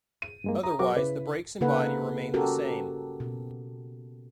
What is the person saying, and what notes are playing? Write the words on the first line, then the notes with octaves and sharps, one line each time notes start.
Otherwise, the brakes and body remained the same.
D#7
G2 G#3 A#3
A#5 D#6
F#3 F#4 A#4 D6
C#3 E4 B4
C#3 A#3 D#4 A4 B4 F#5
C#4 F#4 G4 A4 A#4
B2